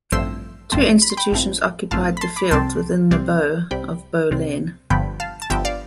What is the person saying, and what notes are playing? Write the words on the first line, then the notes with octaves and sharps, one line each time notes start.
Two institutions occupied the fields within the bow of Bow Lane.
A1 G2 F3 A3 C4 C6 E6
A1 G2 F3 A3 C4 A5 C6
B5
C6
G5 B5
A1 G2 F3 A3 C4
A1 G2 F3 A3 C4 F5 A5
B5
A5 C6
B5 D6
C2 C3 G3 C4 A5 C6
C2 C3 G3 C4
C2 C3 G3 C4 G5 B5
C2 C3 G3 C4
G1 G2 D3 F3 B3 G5 B5
F5 A5
A5
G1 G2 D3 F3 B3 E5 G5
D5 F5